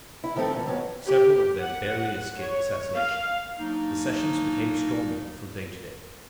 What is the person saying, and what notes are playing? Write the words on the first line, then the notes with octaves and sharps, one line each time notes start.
Several of them barely escaped assassination. The sessions became stormier from day to day.
E4
D#3 F3 A3 C4 A4
A#2 E3
F2 A2 F#3 B3 C#4
G4
F#5
C#5
F5
F#3 A#3 D4 D#4